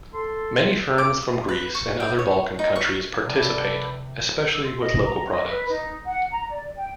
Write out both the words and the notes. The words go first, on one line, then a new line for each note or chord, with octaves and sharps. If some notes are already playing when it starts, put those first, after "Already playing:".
Many firms from Greece and other Balkan countries participate, especially with local products.
A4 C6
D6
D#6
B4
C#6
G5
C#5
D#4
C#6
C3 F3 A4 B4 D5
E6
C6
D#5
A#5
D#5
B4
D#4
F#5
A#5
D5
G5